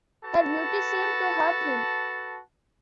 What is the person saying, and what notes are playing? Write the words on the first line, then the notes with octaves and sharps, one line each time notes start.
Her beauty seemed to hurt him.
F#4 A4 B4 A5